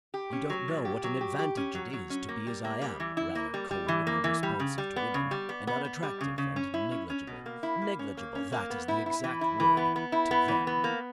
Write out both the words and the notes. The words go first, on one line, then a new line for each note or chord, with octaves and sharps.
You don't know what an advantage it is to be as I am, rather cold and unresponsive to women and unattractive and negligible--negligible, that is the exact word--to them.
G4
C#4
F#3
A#2
G4
F#3
G4
G4
C#4
F#3
F#3
C#4
A#3
G3
A#3
G3
E3
E4
A#3
G3
G3
E3
A#3
E3
G3
C#3
G3
B3
C#3
G3
B3
B3
B3
G3
C#3
C#3
C#4
E4
C#4
C#4
B2
A#3
E4
A#3
C#4
A#3
C#4
A#3
B3
E4
E4
E3
E4
E3
B3
B3
E4
B3
E3
B3
A#3